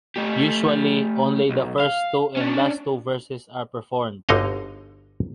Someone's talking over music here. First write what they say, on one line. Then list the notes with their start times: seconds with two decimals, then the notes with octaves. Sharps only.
Usually, only the first two and last two verses are performed.
0.17 A3 G4
1.50 B1
1.79 F5
2.37 C#4 D4
4.29 G1 D3 D#4 F#4 D#5 F5